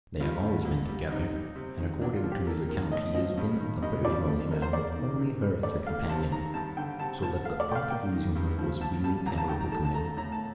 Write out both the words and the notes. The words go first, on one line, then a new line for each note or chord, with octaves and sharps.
They have always been together, and according to his account he has been a very lonely man with only her as a companion, so that the thought of losing her was really terrible to him.
G2 F4
D3
A#2
G3
C3 D#4
G3
C3
D#3
A#2 D4
F4
F3
G4
A#3 A4
D#3 A#4
A2 D#5
F3 D#5
G2
D#3
G2 D#5
F3 D5
A3
A3 A#4
C5
A#3 D5
D#3
C3
G3
A3 D5
A3 F5
C3 A5
D#3 A#5
G2 A5
D3 G5
C3 A5
F3 A5
A3 F5
D5
A3 G5
F5
A#3 G5
D#3
G2
F3
A#2 A5
G3 A5
F2 A#5
A5
D#3 G5
A#5
A3 A5
A5
A3 A#5
A2 A#5
A5